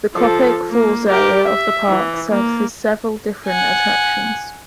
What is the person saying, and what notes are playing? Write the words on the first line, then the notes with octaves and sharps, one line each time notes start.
The Copake Falls Area of the park services several different attractions.
F3 A4
A#3
G4 A#4
E5
E3
A#3
F#5 G#5